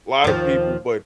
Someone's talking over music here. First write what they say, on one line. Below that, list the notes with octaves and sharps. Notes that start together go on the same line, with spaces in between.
lotta people but
D#2 F3